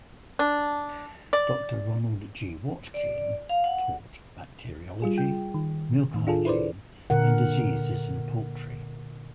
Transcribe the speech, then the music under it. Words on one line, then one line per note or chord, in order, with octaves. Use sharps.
Doctor Ronald G. Watkin taught bacteriology, milk hygiene, and diseases in poultry.
D4
D5
D5
F5
F#5
G3 F4 G#4
G5
D#3
A2 D#3
D4 F4 G#4 A4
E4 B4 C5 D5
A#2 D3 A#4 F#5